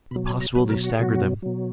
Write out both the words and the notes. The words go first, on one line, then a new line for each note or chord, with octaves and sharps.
The possibility staggered them.
B2 F#3 B5
G#5
A#5
B2 F#3 B4
A#4
F#4
G#4
B2 F#3 F#4
B2 F#3